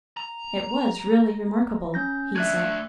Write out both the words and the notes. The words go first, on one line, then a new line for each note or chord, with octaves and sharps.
"It was really remarkable," he said.
A#5
C#4 G6 A#6
A3 D4 E5 F#6 G#6